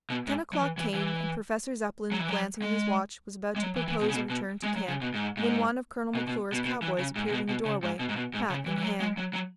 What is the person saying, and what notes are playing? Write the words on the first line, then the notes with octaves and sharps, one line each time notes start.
Ten o'clock came, and Professor Zepplin, glancing at his watch, was about to propose a return to camp, when one of Colonel McClure's cowboys appeared in the doorway, hat in hand.
B2
G#2
F#3
E3
E3
E3
F#3
E3
F#3
G#3
G#3
F#3
E3
E3
B2
C#3
B2
B2
G#3
F#3
C#3
B2
G#2
G#2
B2
B2
B2
B2
E3
C#3
G#2
G#2
B2
B2
C#3
G#2
B2
G#2
B2
G#2
C#3
E3
E3
F#3
G#3
F#3
F#3